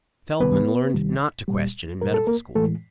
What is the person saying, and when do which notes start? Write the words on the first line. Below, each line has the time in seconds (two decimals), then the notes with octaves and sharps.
Feldman learned not to question in medical school.
0.40 C#2 C3 D#3 G3 B3 B4
0.94 C#2 C3 D#3 G3
1.48 A#2 G3
2.01 A#2 G3 A#4
2.14 A4
2.27 A#3 A#4
2.55 A2 E3 G#3 A3 A4